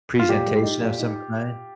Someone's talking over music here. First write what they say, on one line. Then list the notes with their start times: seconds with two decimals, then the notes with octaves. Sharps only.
Presentation of some kind?
0.19 F4
0.29 A#2 G4
0.47 G#3
0.63 D#4
0.81 A#2
0.99 D#4